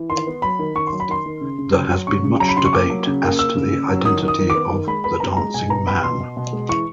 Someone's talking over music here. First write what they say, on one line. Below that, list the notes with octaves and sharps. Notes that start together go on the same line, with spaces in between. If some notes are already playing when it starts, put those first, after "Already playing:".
There has been much debate as to the identity of the dancing man.
Already playing: E3
D#3 C6
B3
F#3 B5
D#3
D#3 C#6
C6
F#3
B5
D#3 C6
D#3
C#3
C#3
F#3
F#3
C#3 C#6
C#3
F#3 A#5
B5
C#3 C6
C#6
A#3 D6
F#3
C#3
A#3
A#3 E6
C#3
C#3
F#3
D#3 D#6
D#3
D#6
D#3
D6
B3
D#3
G#3 B5
B3 B5
B3 A#5
G#3 A#5
B2 G#5
B3 A#5
B3 B5
B2 C6
B2
B2
G#3
E3 C#6